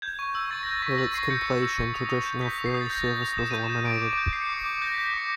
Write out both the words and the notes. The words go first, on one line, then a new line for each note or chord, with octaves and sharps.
With its completion, traditional ferry service was eliminated.
G6 G#6
C#6
E6
C#6 A6
A#6
G6
C#6 A#6 B6
E6 A6
C#6 C7
G6 C#7
C#6
E6
C#6
D#6
D#6
G6
G6 B6
D#6
C7
D#6
A6
G6 A#6
G6
D#6
D#6 E7
G6 D#7
E7
G6
D6 D7
D6
D7
G6
G6 C7
C#7
D6 C7
D6
G6 A#6
B6
G6 A#6
B6
D6 C#7